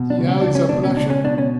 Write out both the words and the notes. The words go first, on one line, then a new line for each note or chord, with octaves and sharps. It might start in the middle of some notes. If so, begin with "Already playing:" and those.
See how he's a-blushing!
Already playing: B2
D4
C#2
C#4
C#2 D4
C#4
B2 D4
C#4
C#2 D4
C#4
B2 D4
C#4